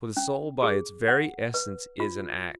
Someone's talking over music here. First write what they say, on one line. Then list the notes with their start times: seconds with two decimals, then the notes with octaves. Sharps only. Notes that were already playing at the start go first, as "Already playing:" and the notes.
For the soul by its very essence is an act.
0.17 C#4
0.63 G#4
1.08 F#5
1.54 B4
2.00 F4